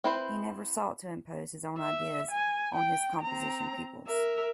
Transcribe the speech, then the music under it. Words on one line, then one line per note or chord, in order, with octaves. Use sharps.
He never sought to impose his own ideas on his composition pupils.
C4 E4 B4 C5
E5
G#5
G5
C4 A#5
A#4 E5